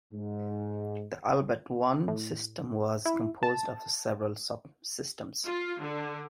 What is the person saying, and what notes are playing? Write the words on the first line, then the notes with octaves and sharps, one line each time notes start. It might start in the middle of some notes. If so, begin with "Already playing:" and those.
The Albert One system was composed of several subsystems.
G#2
A2
E4
A5
F4
D3